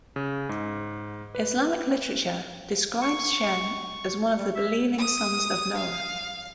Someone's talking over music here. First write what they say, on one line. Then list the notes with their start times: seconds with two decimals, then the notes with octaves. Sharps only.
Islamic literature describes Shem as one of the believing sons of Noah.
0.16 C#3
0.49 G#2
1.35 B4
3.02 C#6
4.37 G3
4.55 E5
4.99 D#6
5.78 F5